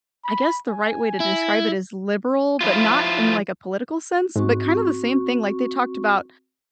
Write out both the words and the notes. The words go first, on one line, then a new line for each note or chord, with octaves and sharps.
I guess the right way to describe it is liberal, but not in like a political sense, but kinda the same thing like they talked about
B5
G#5
E4
F3 E4 F4
G#2 C4 F#4 C#6